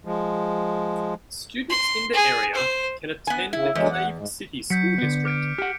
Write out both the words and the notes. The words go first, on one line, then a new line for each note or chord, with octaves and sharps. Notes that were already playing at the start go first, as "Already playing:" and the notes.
Students in the area can attend the Cave City School District.
F3 G#3
C6
G#4
C5
B3 G#5
C#3 E4
E2 D3 F#3 G#3
F#5
G#2
F#3 G6 B6 C#7
D3 B3
D6 F6 D7
G4 F#5 F6 C#7 D7